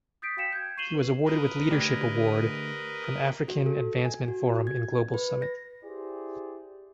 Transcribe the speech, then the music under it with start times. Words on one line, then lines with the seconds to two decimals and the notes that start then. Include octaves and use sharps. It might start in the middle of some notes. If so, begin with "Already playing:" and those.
He was awarded with leadership award from African Advancement Forum in global Summit.
0.22 D#6 G6 A6 B6 C7 D7
0.37 F#4 F5 G5 B6 C#7 E7
0.52 G6 G#6
0.77 C#6 C7 D#7 E7 F#7 G7
0.94 B4
1.25 A#4 B4 D#5
1.71 D3 A3 G4 D5 G#6
3.48 F#4
3.66 A4
4.05 G#5
4.28 F#4
4.67 G#6
5.14 B4
5.42 A#6
5.84 E4 G4 G#4 C5 D5